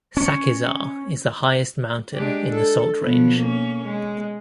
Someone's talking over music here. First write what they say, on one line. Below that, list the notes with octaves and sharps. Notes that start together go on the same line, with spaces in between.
Sakesar is the highest mountain in the Salt Range.
C#4
G#3 D4 G4
A4
B2 F3 B3
A#3 C#4
G#3